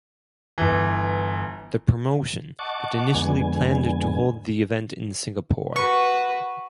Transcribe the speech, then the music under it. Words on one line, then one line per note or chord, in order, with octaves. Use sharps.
The promotion had initially planned to hold the event in Singapore.
G1 E3
D#5 F#5 A5 C#6 D6
F2 D3 G#3 B3 G#5
F#4 B4 C#6